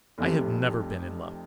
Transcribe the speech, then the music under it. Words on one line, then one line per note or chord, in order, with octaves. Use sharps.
"I have never been in love."
F1 F2 C3